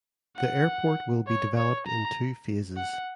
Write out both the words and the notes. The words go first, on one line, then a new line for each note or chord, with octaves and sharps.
The airport will be developed in two phases.
F#5
C#5
C#5
A#5
F#5